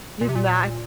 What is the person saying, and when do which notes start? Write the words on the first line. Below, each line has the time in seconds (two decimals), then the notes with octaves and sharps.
is not
0.21 A#2
0.29 C3
0.35 A#2